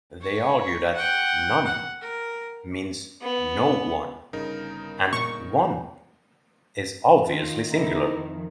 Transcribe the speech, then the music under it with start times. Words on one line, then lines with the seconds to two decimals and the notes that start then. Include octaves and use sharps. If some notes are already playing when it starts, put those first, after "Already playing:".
They argue that "none" means "no one", and "one" is obviously singular.
0.21 C#5
0.95 F#5 G5
1.64 F#5
2.01 A#4
3.21 B3
4.33 G1 C#3 D#4 A#4
5.13 A#2 C#6
7.27 D#3 F4
7.69 E2 D3 D#4 E4 A#4
8.12 F2 D#3